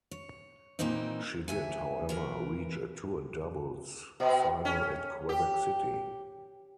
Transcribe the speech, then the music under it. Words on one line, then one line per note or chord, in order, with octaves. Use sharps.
She did, however, reach a tour doubles final at Quebec City.
C#5
A#2 E3 A#3 C4 D#4
D2 E5 G#5
E3 A#4 B4
B2
C#4
G4